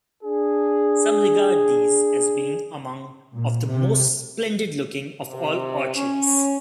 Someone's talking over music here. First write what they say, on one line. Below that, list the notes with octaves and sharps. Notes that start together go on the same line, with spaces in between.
Some regard these as being among of the most splendid looking of all orchids.
D4 G#4
A#2
C3
C3
C#4